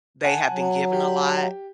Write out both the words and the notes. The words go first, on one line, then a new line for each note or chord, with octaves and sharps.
they have been given a lot
F#5 G#5 A5
F#3
G4